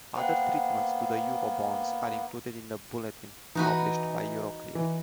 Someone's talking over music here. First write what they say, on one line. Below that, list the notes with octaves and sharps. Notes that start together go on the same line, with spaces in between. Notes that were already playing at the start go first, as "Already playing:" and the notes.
Other treatments to the Eurobonds are included in the bulletin published by Euroclear.
A#3 B3 C5 F#5 G5
E3 D#4 F#4 B4
E3